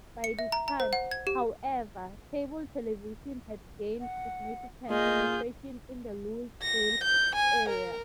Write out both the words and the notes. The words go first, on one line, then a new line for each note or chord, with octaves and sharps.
By this time, however, cable television had gained significant penetration in the Louisville area.
C#7
E5
A#5
A#5
C5
F#5
G#6
G4
F#5
A#2 F4 G#4 D#5 G6
A#6
G6
G#5
A#4